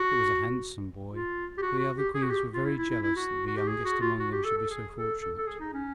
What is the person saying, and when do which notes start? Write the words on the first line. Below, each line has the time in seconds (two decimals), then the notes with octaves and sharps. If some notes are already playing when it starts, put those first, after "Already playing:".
It was a handsome boy, but the other Queens were very jealous that the youngest among them should be so fortunate.
Already playing: F#4
1.10 F4
1.58 G4
1.62 F#4
1.79 F#4
1.97 G4
2.14 G#4
2.23 F#4
2.30 G4
2.53 F4
2.64 E4
2.77 E4
2.90 E4
3.02 E4
3.16 F#4
3.47 F#4
3.57 G4
3.68 G#4
3.85 F#4
4.01 F4
4.19 F#4
4.32 G4
4.44 A4
4.57 A4
4.70 G#4
4.96 A4
5.21 A4
5.37 A4
5.47 G#4
5.60 D#4
5.73 C#4